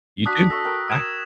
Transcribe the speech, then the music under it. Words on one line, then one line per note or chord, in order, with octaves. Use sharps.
you too, bye.
D4 F#4 D#6 F#6 B6
A4 C#6 E6 A#6 B6
A#4 G5
D#6 G#6 E7